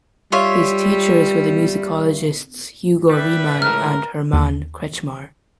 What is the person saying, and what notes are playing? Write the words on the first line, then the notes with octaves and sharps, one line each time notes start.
His teachers were the musicologists Hugo Riemann and Hermann Kretzschmar.
G3 F4 C#5 E5
G3 B4 D5 E5
C#2 A2 A#4 F6
D#2